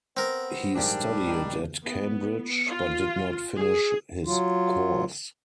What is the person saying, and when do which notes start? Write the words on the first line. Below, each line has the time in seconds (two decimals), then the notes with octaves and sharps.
He studied at Cambridge, but did not finish his course.
0.17 B3 C4 A#4
0.76 A#1 G#2 G3 A#3 D4 G4
1.27 D#3
1.85 B3
2.68 F4
3.57 G#4
4.26 F#3 F4